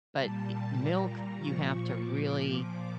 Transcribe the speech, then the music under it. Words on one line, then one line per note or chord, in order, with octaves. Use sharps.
But, eh milk, you have to really
A#2 G3 A5
A#5
A#5
A#2 F3 C#6
C#6
D6
A#2 F3 D6